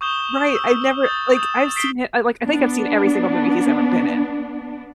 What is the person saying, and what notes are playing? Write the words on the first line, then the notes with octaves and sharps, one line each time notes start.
Right, I've never like, I've seen I like, I think I've seen every single movie he's ever been in
C#6 D#6 G6 E7 G7
E6
D#6 G6 A6
D#6 G6 E7
D#6 B6 C7 D7 G7
B3 D4